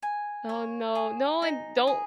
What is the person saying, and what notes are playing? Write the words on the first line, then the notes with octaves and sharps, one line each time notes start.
Oh, no. No, and don't
G#5
C#5
G#4
D#4
G#4